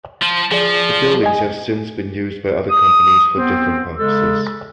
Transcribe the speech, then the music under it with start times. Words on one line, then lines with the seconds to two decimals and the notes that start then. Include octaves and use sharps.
The buildings have since been used by other companies for different purposes.
0.22 F3
0.52 F3 G#4 D5
1.23 D#5 G#5
2.70 D#6
3.35 B3 C4
3.98 C#3 G#3 A4 E6